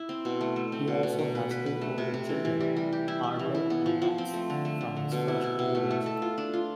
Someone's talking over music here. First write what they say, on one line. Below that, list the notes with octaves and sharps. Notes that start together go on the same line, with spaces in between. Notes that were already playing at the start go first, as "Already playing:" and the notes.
He also has two older children, Harley and Max, from his first marriage.
Already playing: E4
C4
B2
A3
A3
C4
B2
B2
B2
B4
B4
B4
A3
C3
C3
E3
E3
G3
G3
G4
E4
E4
E3
E4
B3
F3
F3
C4
A3
D3
A3
D3
D3
B2
E4
E4
B2
A3
A3
A4
F4
D4
F4